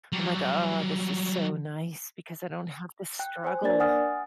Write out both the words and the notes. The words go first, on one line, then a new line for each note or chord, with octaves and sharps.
I'm like, "Oh, this is so nice because I don't have to struggle."
F#3 G3
G5 F#6
C5 G#5
A#3 D4 A#4 D5 A6
F#5 G#5 D#6 F6 A6